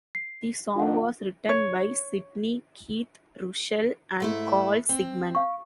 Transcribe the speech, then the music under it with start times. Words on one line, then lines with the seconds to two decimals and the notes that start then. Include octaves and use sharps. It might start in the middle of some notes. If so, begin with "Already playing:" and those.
The song was written by Sidney Keith Russell and Carl Sigman.
0.15 C7
0.76 F2 D#3 D4 F4 F5 F#5
1.49 C#5
4.20 G#2 A3 E4
4.89 C4
5.35 F5 C#6